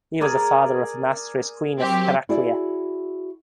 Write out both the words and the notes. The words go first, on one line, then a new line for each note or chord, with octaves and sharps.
He was the father of Amastris queen of Heraclea.
G#4 A#4 D5
F#3 C4 G4
E4 F#4 G#4 D5